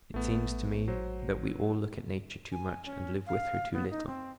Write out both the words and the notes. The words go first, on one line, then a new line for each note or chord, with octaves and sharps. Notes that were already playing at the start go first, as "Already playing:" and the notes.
It seems to me that we all look at Nature too much, and live with her too little.
A1 A3 B3
F#3 C5
G#5
C#4
F5
B3
D#4
C4